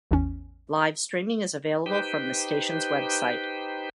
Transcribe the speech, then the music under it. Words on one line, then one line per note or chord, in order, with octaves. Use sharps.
Live streaming is available from the station's website.
A1 E2 C#4
D#4 G4 B4 C5 G5